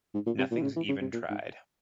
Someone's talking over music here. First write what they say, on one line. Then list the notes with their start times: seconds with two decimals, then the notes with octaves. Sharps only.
Nothing's even tried.
0.14 G#2
0.26 A#2
0.38 C3
0.51 A#2
0.58 E3
0.62 C#3
0.76 E3
0.88 C#3
1.01 C3
1.13 A#2
1.30 G#2